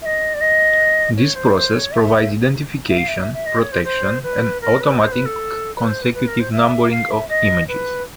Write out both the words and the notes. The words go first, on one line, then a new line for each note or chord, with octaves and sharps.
This process provides identification, protection, and automatic consecutive numbering of the images.
E5
D#5
D5
D#5
C#5
C5
C5
C#5
E5
E5
F5
E5
E5
E5
D#5
C#5
C5
C5
B4
A#4
B4
C5
B4
A4
B4
C5
B4
B4
A#4
C5
E5
F5
E5
D#5
B4